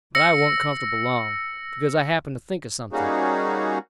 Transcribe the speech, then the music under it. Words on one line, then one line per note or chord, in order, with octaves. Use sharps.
But I warn't comfortable long, because I happened to think of something.
E6 A#6 C#7
G3 A#3 C#4 D#4 F#4 G#4